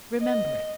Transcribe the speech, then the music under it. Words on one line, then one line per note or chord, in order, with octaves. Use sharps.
Remember it.
D#5